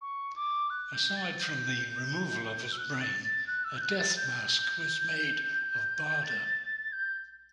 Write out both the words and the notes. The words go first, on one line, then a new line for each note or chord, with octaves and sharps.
Aside from the removal of his brain, a death mask was made of Baader.
C#6
D6
F#6
G6
A6
G6
E6
F#6
A6
A6
F#6
E6
G6
F#6
A6
G6
A6
G6